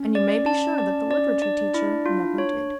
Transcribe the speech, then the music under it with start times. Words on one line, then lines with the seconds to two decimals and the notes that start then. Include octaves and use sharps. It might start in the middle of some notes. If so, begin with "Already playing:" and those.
And you may be sure that the literature teacher never did.
Already playing: C#4
0.15 D5
0.46 A5
0.78 D5
1.11 D5
1.42 D4 D5
1.74 E4
2.06 F4
2.38 C#5